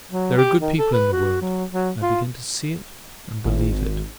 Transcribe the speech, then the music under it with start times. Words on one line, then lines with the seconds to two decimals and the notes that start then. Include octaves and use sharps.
There are good people in the world: I begin to see it, and believe it.
0.11 F#3
0.37 G4
0.61 D#3
0.78 A4
0.93 B4
1.12 F#4
1.41 F#3
1.73 F#3
2.02 F4
3.45 G#1